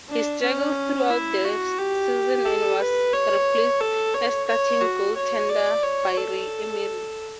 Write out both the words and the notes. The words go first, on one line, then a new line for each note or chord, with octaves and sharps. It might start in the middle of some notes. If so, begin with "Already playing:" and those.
He struggled throughout the season and was replaced as starting goaltender by Ray Emery.
D4
C#4
E4
F#4
G4
A4
B4
C#5
A4
C#5
C#5
F#4
C#5
D5
C#5
A4